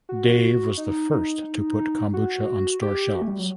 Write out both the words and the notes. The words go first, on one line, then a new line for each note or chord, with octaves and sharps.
Dave was the first to put kombucha on store shelves.
F#4
D#4
D#4
F#4
G4
F#4
A3
G3
F#3